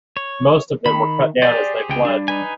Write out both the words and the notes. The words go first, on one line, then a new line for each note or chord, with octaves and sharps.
Most of them were cut down as they fled.
C#5
D#3 B5
G4 G#4 C5 D5
C#2 G5
G3 D4
D#4 B4 G#5